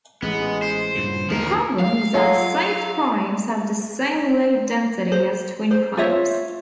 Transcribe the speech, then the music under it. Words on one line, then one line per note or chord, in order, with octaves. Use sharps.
The problem is that safe primes have the same low density as twin primes.
A1 G#3 B3
C5
E2 G2 A#2 C#3
D#2 B2 D3 D#3 F3 A#4
F5
F#3 F4 A4 C#5
C5
C5
F4 C5 C#5 E5